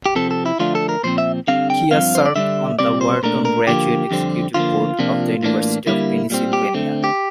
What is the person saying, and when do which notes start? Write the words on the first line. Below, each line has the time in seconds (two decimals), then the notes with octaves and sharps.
Chia served on the Wharton Graduate Executive Board of the University of Pennsylvania.
0.06 G4
0.15 C3 F3 C4 A4
0.31 A4
0.46 E4
0.59 D3 F3 A3 D4 F4
0.75 A4
0.89 A#4
1.03 A#2 F3 C4 C5
1.18 E5
1.48 D3 G3 C4 F5
1.70 G5
1.91 G2 F3 C4 F5
2.15 C5
2.26 D5
2.36 D3 G3 D4 E5
2.79 C3 G3 C4 D5
3.01 C5
3.23 A#2 A3 D4 A#4
3.45 A#4
3.67 D3 F3 A#3 G4
4.11 F2 D3 G3 C4
4.54 D3 F3 A#3 F4
4.99 C3 F3 A#3 D4
5.43 A2 E3 A#3 D4
5.86 D3 G3 A#3 E4
6.30 A#2 G3 C4
6.53 G4
6.74 D3 A3 C4
7.04 G4